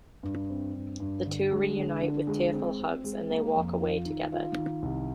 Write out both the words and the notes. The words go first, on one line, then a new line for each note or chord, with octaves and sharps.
The two reunite with tearful hugs and they walk away together.
G2
C4
G2
G2
D3
G#3
D3
D3
G#3
C4
C4
G#3
A#3
F2
F4
D#3
F4
D#3
C2